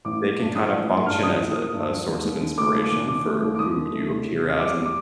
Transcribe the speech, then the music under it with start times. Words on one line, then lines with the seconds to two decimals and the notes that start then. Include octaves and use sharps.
they can kinda function as a a source of inspiration for who you appear as in
0.05 A1 D6
0.22 A#3
0.39 G2
0.55 F3 D#6
0.72 A1
0.89 A#3
1.06 G2 F6
1.23 F3 D#6
1.40 A1 D#6
1.57 A#3 D#6
1.73 G2
1.90 F3
2.07 D#2
2.24 D#2
2.41 D#3
2.58 A3 D6
2.75 D#2
2.83 D6
2.92 D#2
3.08 D#3 D6
3.25 A3
3.43 D#2
3.55 D6
3.59 D#2 D#6
3.76 D#3
3.92 A3
4.09 C2
4.27 C2
4.43 C3
4.60 G3 D6
4.86 D6